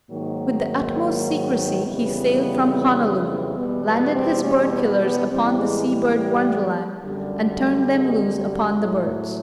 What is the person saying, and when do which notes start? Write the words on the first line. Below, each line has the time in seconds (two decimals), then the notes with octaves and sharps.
With the utmost secrecy he sailed from Honolulu, landed his bird-killers upon the sea-bird wonderland, and turned them loose upon the birds.
0.10 G#2 D#3 F#3 A#3
1.83 F2 C#3 E3 G3 B3
3.56 E2 B2 G3 B3
3.86 B3
4.15 C4
4.43 C#4
4.73 B3
5.01 B3
5.29 A2 E3 G3 C4
5.59 G#3
5.87 G3
6.16 G3
7.03 F#2 D3 G3
7.89 G#3
8.33 G3
8.75 A2 F#3 G#3